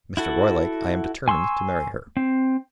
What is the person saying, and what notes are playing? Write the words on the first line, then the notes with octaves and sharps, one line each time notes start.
Mr. Roylake, I am determined to marry her.
E4 F#4 A4
G#5 C6 C#6 E6
C4